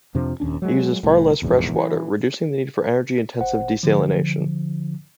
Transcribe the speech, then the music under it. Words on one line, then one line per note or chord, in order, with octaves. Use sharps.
It uses far less fresh water, reducing the need for energy-intensive desalination.
F2 C3 F3 D4
D#1 D#2 C#4 D4
F#3 G#3
C2 A2
F1 A#1 E2 G#2
E3
G1 C5 F#5
D3 F3